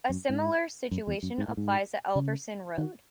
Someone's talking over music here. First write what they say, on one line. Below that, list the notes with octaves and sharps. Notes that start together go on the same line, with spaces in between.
A similar situation applies at Elverson Road.
F#2
G#2
F#2
E2
F#2
G#2
A2
G#2
C#3
D#3